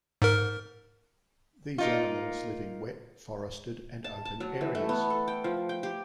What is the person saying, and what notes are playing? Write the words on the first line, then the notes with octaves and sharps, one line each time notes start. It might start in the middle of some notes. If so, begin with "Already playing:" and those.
These animals live in wet forested and open areas.
G#2 A#4
A#3 D#4 F4
A5
A5
F#3
E3
A3
B3
A4
G5
F3
G5
G4